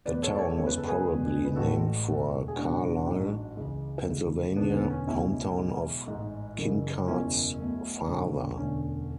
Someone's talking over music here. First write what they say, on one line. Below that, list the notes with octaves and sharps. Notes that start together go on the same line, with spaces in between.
The town was probably named for Carlisle, Pennsylvania, hometown of Kincart's father.
E2 B2 A3 B4 D5
A4 C#5
D5
A4 C#5
F#1 E2 C#3 G#3 C#5
B4
A4
G#4 B4
F#1 E2 B2
B4
A1 A2 E3 G#3 F#4 A4
E1 D2 D3 G#3
G#4
E1 E2 C#3 G#3 D4 F#4
A1 G#2 F#3
C#2 C#3 E3
D2 C#3 G#3
E1 D2 D3 B3 D4
B3
C#4
C#2 B2 A3 C#4 E4
B1 B2 G#3
A1 G#2 G#3
F#1 F#2 C#3 E3
F#1 E2 B2 G#3 C#4 E4
B1 B2 A3
E1 D2 D3 G#3
E1 D2 D3 A3 C#4